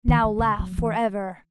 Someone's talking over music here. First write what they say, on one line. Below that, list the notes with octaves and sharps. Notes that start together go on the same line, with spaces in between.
"Now laugh for ever!"
D#3
D#3
C#3
F#3
E3